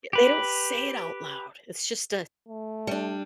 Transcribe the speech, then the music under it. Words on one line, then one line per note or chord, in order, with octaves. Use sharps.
Yeah, they don't say it out loud, it's just a
G4 B4
A3
G3 D4